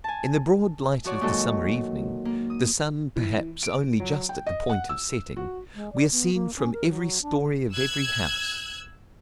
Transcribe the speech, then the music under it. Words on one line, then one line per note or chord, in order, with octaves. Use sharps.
In the broad light of the summer evening, the sun, perhaps, only just at the point of setting, we are seen from every story of every house.
G#5 A5
F3 F#4 C#5 D5
A#2 D#3 F#3 G#3 F#4 A4
A#3
D#6
E3
D7
F#3
G5
D#5
F#5
E6
F#4
G#3
D5
B3
A#3
C#4
A#4
F#3
D4
E6 F#6 G#6